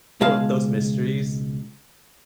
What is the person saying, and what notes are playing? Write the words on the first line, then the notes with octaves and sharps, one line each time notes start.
all those mysteries.
C#2 B2 G#3 G#4 F5 A5